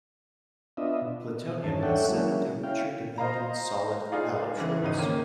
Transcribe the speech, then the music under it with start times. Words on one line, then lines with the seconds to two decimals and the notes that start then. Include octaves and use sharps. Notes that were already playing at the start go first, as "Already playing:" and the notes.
Plutonium has seven temperature-dependent solid allotropes.
0.77 B3 D4 F4 D#5 E5
1.01 B2
1.64 E2 G2 D#3 C#4 A5
1.83 D4 A4 C#5 E5 F#5 G5
2.08 F#3 G#3 A#3 C#4 E4
2.63 C#4 E4 F5 G5
3.18 C5 D#5 F5 A#5
4.12 D#4 F4 G#4 D5 F5
4.58 E2 C#3 E3
4.82 G#1 C#2 D#4 D#7
4.98 D#3 A#3 C#4